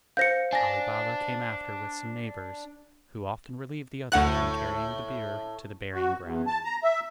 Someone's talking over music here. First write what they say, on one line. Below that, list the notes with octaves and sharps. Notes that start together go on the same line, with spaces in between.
Ali Baba came after with some neighbors, who often relieved the others in carrying the bier to the burying ground.
C5 F5 G6 A#6 C#7
D4 G#5 A#6
D2 A2 F#5 F#6
F#4
E2
A5
A#5
E5